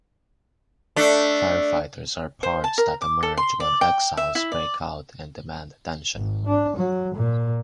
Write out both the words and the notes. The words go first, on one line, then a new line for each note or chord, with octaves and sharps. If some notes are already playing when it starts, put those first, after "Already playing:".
Firefighters are parts that emerge when exiles break out and demand attention.
A3 D4
C5
A5
A#4
D6
A4
C6
D5
G5
E5
E4
D5
G#1
D4
F#3
A#2